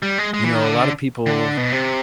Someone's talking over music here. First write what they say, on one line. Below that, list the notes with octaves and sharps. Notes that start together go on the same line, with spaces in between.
you know, a lot of people,
G3
G#3
G#3
E3
D#3
D3
D3
B2
C3